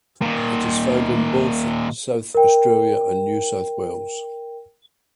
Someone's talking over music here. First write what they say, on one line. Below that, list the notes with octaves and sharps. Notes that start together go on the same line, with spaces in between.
It is found in both South Australia and New South Wales.
A#2 D#3
A#4 G5